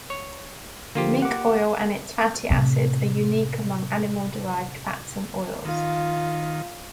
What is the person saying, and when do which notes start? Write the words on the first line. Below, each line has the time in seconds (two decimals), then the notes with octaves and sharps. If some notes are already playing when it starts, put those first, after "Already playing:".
Mink oil and its fatty acids are unique among animal-derived fats and oils.
0.10 C#5
0.95 D3 F3 A#3 F4 G4
1.22 F#5 D6
2.50 A2 C3
5.65 D#3 F4